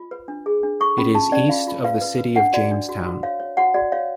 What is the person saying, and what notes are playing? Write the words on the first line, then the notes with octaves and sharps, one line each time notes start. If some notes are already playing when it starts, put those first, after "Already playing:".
It is east of the city of Jamestown.
Already playing: F4
B4
D4
G#4
D4
A4 C#6
C#4 B5
F4 A5
C#4 D5
F4 F5
F4
B4 F5
B4
B4
D4 F#5
F#4 D5
D4
F#4
F#4
C#5 F5
C#5
F#4 F#5
F#4 D5
C#5 F5